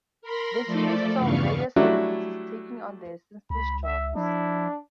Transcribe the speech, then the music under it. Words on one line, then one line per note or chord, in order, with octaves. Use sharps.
The series saw various celebrities taking on their ancestors' jobs.
A#4 B5 C6 A#6
F3 A3 A4 D5
E2 G2 C#3 B3 F5 C#6
F#3 G3 A3 D4 E4 F#4
C#2 B5
E5
F3 D4 E4